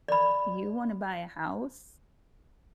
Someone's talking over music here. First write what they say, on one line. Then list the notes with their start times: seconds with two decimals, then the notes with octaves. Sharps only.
you wanna buy a house,
0.08 D5 B5